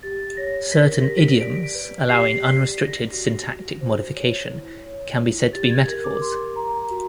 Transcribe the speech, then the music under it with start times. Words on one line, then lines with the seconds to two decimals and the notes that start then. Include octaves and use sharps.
Certain idioms, allowing unrestricted syntactic modification, can be said to be metaphors.
0.03 G4 A6
0.37 C#5 A#6
0.72 A#4 B6
0.94 A#6
1.06 G4
1.17 B6
1.40 D5 D7
1.75 B4
2.09 G4 C7
2.44 D5 B6
2.78 A4 A#6
3.12 F#4
3.47 F#4
3.81 C5
4.15 C#5
4.50 E4
4.85 C#5
5.18 E4
5.53 G4 A6
5.71 G#6
5.87 A#4
6.04 D6
6.21 G4 C6
6.56 A#4 A#5
6.91 F#4